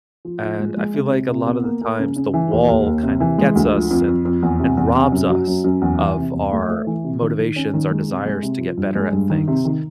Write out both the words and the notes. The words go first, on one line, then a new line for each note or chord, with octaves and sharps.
and I feel like a lot of the times, the wall kind of gets us and and robs us of our motivations our desires to get better at things,
F3
F3
G#3
G#3
C3
C3
C3
B3
A#3
A#3
C#3
C#3
E3
D#2
D#2
D#2
C3
E3
G#3
D2
F3
F2
F2
F2
E2
C3
E2
C3
F#2
F#3
F#2
F#2
E2
E3
C3
E2
A3
A3
E3
C3
D#3
D#3
C#4
D#3
G#3
C3
G#3
C3
F3
G2
G#3
G2
D#3
C3
D#3